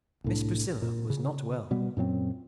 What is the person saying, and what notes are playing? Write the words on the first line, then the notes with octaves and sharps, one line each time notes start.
Miss Priscilla was not well.
C2 A2 D4
A#2
C#3
B2 G3 B3
F#2 A#2 F#3 C4